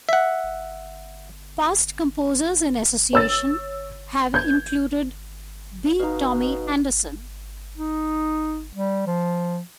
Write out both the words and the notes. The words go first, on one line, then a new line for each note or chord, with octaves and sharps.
Past Composers-in-Association have included B Tommy Andersson.
E5 F#5
C#5 E6 A6
G6 G#6
B2 D#4 F5
D#4
G3
F3